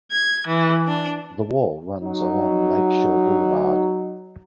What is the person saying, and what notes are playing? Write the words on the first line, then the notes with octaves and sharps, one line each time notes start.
The wall runs along Lakeshore Boulevard.
G#6
E3
D4
F#3 D#4